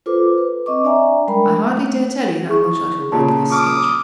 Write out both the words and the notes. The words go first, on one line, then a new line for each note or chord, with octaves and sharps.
I hardly dare tell you how much I shall like this sketch.'
F4 A4 B4 C5 D6
B4
C4 D#5 C#6 D6
D4 D5 E5 G#5 A#5
G3 G#3 D4 A#4 G5 B5
A3
E4 G#4 C#6
A#2 C#3 F4 A5
D6 D#6 F6